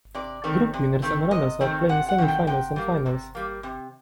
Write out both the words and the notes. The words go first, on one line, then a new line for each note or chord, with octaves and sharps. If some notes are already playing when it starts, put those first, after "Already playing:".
Group winners and runners-up play in semi-finals and finals.
C3 D5
D#3 A3 C4
C3
D#3 A3 C4
C3 D#5
D#3 A3 C4
C3 F#5
F#5
D#3 A3 C4
G5
C3 G5
G3 A#3
C3
G3 A#3
C3